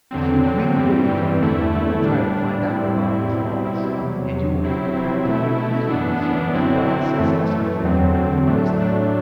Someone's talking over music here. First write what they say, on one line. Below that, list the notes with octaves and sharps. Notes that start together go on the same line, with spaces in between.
If you really believe that, you will try to find out about his laws, and you will be comparatively little concerned about the success or failure of your business.
E2 D3 F#3 C4
E2 D3 F#3 C4
G2 E3 G3 C4
G2 E3 G3 C4
E2 D3 A3 E4
E2 D3 A3 E4
A2 G3 D4
A2 G3 D4
A2 G3 C4 E4
A2 G3 C4 E4
B2 G3 C4 E4
B2 G3 C4 E4
E2 C3 F#3
E2 C3 F#3
C3 F#3 C4 E4
C3 F#3 C4 E4
B2 A3 E4
B2 A3 E4
F#2 E3 B3 D4
F#2 E3 B3 D4
D3 F#3 C4 E4
D3 F#3 C4 E4
F#2 E3 A3
F#2 E3 A3
E2 D3 F#3 C4
E2 D3 F#3 C4
A2 F#3 A3 D4
A2 F#3 A3 D4